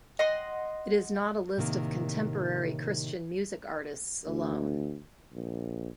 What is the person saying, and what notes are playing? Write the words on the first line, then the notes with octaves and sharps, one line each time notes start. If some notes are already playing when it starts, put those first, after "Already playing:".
It is not a list of contemporary Christian music artists alone.
D#5 F#5 C6
A2 C3 D#3 A#3
D2
A#1